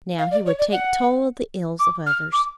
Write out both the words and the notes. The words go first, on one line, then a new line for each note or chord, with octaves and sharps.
Now he would take toll of the ills of others.
F5
D5
C#5
D5
F#5
D6
F6
D6